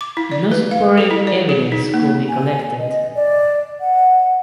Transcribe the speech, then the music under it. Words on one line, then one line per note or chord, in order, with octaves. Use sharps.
No supporting evidence could be collected.
D6
E4
D5
B4
F5
A4
E4
D5
G#4
D#4
A#3
G#5
D#5
D5
F#5